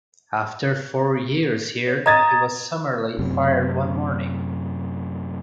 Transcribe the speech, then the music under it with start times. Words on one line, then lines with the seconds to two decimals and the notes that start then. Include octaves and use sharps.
After four years here, he was summarily fired one morning.
1.88 C#5
2.06 D#5 A#5 D#6 G#6 A6
3.19 F#2 C3